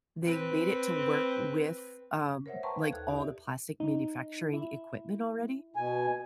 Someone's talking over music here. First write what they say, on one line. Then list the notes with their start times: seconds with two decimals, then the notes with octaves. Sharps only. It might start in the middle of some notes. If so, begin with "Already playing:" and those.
they've made it to work with, um, like, all the plastic manufacturing equipment already,
0.25 C4 B4
2.46 A#4 C5 C#5 E5 F#5
2.63 B4 G5 A5 A#5 C6 C#6
2.79 F5 G#6
2.92 D#2 A4 F#6
3.08 D#4 G4 D5 E5
3.80 D#4
4.54 E4
5.76 B2 G#5